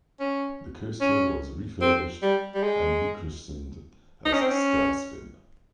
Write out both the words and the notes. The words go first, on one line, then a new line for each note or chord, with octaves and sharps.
The coaster was refurbished and rechristened as Sky Spin.
C#4
C#4
C4
G3
G3
G#3
D#4
C#4
C4
C#4